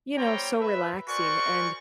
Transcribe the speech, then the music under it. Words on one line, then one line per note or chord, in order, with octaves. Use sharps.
you know, so relaxing, and
G3 B3 C5 C#5 G5 A#5
B4 E5
F#4 A#4 C5 D5 G#5 C#6